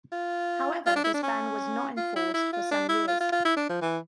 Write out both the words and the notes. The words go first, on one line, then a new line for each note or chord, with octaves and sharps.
However, this ban was not enforced for some years.
F4
F4
D4
E4
D4
C#4
F4
E4
E4
F4
D4
E4
F4
F4
F4
E4
D4
F3
E3